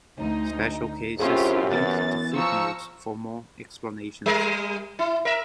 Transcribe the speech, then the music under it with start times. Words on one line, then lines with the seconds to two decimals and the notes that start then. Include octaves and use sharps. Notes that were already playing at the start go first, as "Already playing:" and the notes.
Special cases link to footnotes for more explanations.
0.19 D2 D#4
1.19 F#2 C4 C#4 E4 F4 G4 G#4
1.71 E3 B3 A6
2.35 F3 A#5 C#6 E6
4.26 G3 A#4
4.99 E4
5.25 A#4 E5